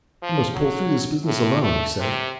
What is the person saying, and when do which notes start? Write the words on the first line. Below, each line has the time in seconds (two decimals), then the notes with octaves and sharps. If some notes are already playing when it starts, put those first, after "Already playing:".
I must pull through this business alone,' he said.
0.22 F3
0.54 F#3
1.25 A2
1.62 A3
2.00 C3